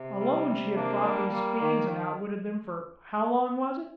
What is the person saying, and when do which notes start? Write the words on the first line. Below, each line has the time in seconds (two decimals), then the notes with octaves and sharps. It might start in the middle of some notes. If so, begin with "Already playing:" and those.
Alone she had fought these fiends and outwitted them for--how long was it?
Already playing: C3
0.20 G3
0.49 C3
0.76 A#3 D4
1.04 G3
1.32 A#3
1.61 D#3
1.88 D#3